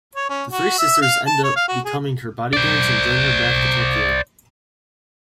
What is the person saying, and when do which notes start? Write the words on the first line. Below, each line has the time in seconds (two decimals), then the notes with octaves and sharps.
The three sisters end up becoming her bodyguards and join her back to Tokyo.
0.16 C#5
0.29 C#4
0.52 F#4
0.78 E5
1.02 F5
1.27 A5
1.43 C#5
1.56 F5
1.68 F#4
1.85 G#4
2.53 C5 D5